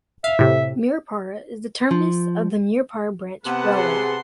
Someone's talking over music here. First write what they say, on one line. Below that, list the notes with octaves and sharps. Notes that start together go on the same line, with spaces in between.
Murupara is the terminus of the Murupara Branch railway.
E5 F5
A2 C3
F3
C3 B3 B4 F#5 A5
G#4 C6